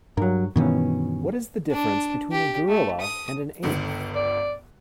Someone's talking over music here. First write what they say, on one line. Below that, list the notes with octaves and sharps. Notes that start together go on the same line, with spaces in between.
What is the difference between a gorilla and an ape?
G2 F#3 A#4
G2 B2 D#3 E3 C#4
D4
G4
A3
D#6
G1 C#2 D3
D5